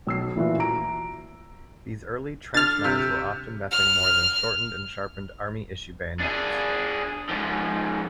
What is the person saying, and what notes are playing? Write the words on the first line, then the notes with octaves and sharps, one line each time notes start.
These early "trench knives" were often nothing more than shortened and sharpened Army-issue bayonets.
B1 E6 C7
A#2 E3 A3 F4 F#4
A#5 D7
D3 F6 A6
C3
F6
D4 G#4
G#2 F3